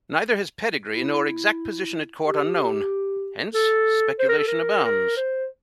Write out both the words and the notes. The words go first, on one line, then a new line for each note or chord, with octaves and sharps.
Neither his pedigree nor exact position at court are known, hence speculation abounds.
E4
G4
A4
C5
A#4
A4
A#4
A#4
C5